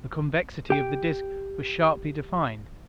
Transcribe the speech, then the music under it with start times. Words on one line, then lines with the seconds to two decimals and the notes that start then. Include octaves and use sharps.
The convexity of the disc was sharply defined.
0.70 G4 G5